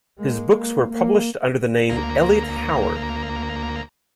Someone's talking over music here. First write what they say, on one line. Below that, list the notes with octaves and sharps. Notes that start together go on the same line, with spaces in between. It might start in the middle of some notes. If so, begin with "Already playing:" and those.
His books were published under the name "Eliot Howard".
G#3 A#3
A#3
A#3
D2 A#3 A#5